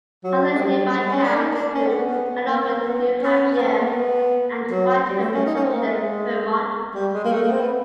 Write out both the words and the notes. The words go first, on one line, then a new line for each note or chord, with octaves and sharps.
Other nearby towns include Hanover, New Hampshire and White River Junction, Vermont.
F#3
G#3
G3
G#3
C#4
D4
D#4
D4
C#4
C4
B3
B3
B3
A#3
A#3
B3
C#4
B3
C4
B3
A#3
B3
F#3
G3
A3
C#4
D#4
C#4
C4
A#3
G#3
G3
G#3
A#3
A3
A#3
C4
B3